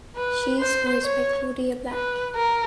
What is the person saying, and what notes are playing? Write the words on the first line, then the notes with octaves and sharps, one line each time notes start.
She is voiced by Claudia Black.
B4
C5
C#5
B4
A#4